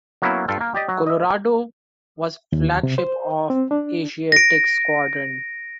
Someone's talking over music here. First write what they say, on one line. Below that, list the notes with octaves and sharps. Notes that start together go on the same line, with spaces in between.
"Colorado" was flagship of the Asiatic Squadron.
F#3 A#3 B3 C#4 E4
G2 F4 A4 G5
A#3 A#4
G4 D5 D#5
F#3
D#5 E5
D#2
C3
C5
C4
D4
A#6 D7